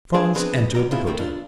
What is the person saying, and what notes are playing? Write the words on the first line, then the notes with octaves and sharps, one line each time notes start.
Franz entered the hotel.
G#3 D4 G#4 B4 D5 E5
F3 B3 C4 D4 G#4 B4
B2 F3 D5 A#5
B3 E4 F4 G#4 C5
D#3 F3 A3 C4
B1 D4 F4